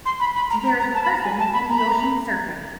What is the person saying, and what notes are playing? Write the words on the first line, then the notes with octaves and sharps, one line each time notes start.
There is a person in the ocean surfing.
C6
B5
B5
A#5
A#5
A#5
A5
B5
A#5
G#5
A5
B5
A#5
B5
A#5